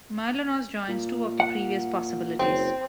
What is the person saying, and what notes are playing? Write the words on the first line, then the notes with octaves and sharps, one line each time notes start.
Mylonas joins two of the previous possibilities.
A#2
F#5
F#1 C4